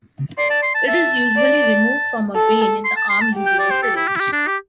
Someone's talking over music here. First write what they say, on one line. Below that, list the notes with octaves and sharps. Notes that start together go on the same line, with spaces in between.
It is usually removed from a vein in the arm using a syringe.
D5 C6
A5
C6
A5
E5 A5
D5
A4
C6
A5
C6
A5
G4
G5
D5
C5
A4
E4
G4
E4
G4
D4
G4